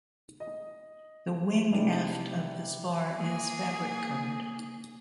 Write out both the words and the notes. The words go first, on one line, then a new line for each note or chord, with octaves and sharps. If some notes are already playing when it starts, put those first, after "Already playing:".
The wing aft of the spar is fabric-covered.
D#5
C3 E3 G3 D4 D#4 G#4
A#3 G#4